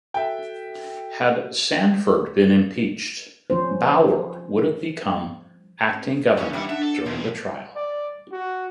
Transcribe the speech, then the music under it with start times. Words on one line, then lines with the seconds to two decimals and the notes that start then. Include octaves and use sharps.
Had Sanford been impeached, Bauer would have become acting governor during the trial.
0.14 F#4 A4 E5 G5
3.50 F3 C#4 C5
6.37 G2 E3 C#4
6.53 E3 G3 D#4 E4 F#5
6.69 D4 E5 F#5
6.82 A4
7.06 B2 F3 A#4
7.75 D5
8.32 F#4